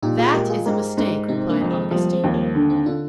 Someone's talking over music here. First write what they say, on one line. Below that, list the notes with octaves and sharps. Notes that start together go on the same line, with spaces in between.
"That is a mistake," replied Augustine.
A#2 D#4 G4
F4 G#4
G#3 G4 A#4
F4 G#4
G#2 G4 A#4
G#2
C3 C4 D#4
A#3 D4
F2
G#3 C4
F3 G3 A#3
G#3 C4
D#2
G3 A#3
D3
C4 D#4
D3 D4 F4